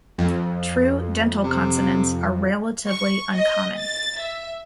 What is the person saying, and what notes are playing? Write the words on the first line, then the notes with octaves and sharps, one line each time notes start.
True dental consonants are relatively uncommon.
F2
C3
C#6
D#5
A6
E5